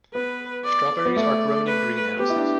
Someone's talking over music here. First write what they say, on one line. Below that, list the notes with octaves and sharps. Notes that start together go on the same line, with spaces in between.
Strawberries are grown in greenhouses.
B3 B4
D5
B3
A3 D5
B4
B3 G4
E4
D4